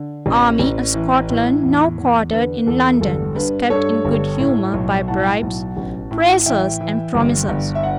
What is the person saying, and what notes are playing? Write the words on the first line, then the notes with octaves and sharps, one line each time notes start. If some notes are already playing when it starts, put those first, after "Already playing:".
The army of Scotland, now quartered in London, was kept in good humour by bribes, praises, and promises.
Already playing: D3
A1
A1
E3
A2
E2
E2
D3 B4
E2 A4
G1 A4
G2 B4
G2 A4 C#5
G1
A2
B1
A2 F#5 A5
B1
A1
A2
E3 E5 G5
E3
G1
G1
E5
F#5